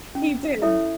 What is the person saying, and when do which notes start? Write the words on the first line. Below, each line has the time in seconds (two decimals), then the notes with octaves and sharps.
He did.
0.15 C#4
0.62 E4 A4 C#5 E5